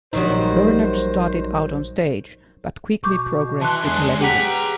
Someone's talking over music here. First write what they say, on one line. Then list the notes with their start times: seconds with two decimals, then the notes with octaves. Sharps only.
Bernard started out on stage but quickly progressed to television.
0.13 A#1 D#3 F#3 G3 D#4 C5
3.04 B2 C#6 D6 G6
3.61 E3 A5 C6 F#6
3.83 E2 D3 G#3
4.21 G4 G#4 B4 F#5 A#5 B6